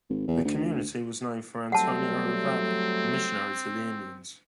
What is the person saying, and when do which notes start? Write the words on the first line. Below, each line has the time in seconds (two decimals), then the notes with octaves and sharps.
The community was named for Antonio Ravalli, a missionary to the Indians.
0.10 G#1
0.28 E2
0.45 D2
1.72 F#3 G3 A3 C4 F#5 A5